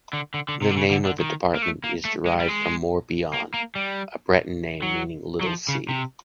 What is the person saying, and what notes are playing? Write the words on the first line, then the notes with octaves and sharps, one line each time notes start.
The name of the department is derived from Mor-Bihan, a Breton name meaning Little Sea.
D3
D3
D3
C3
D3
C#3
D3
D3
D#3
A#3
A3
A#3
A3
G#3
G3
G#3
A#3
A#3
G3
F#3
F#3
F3
C#3
C3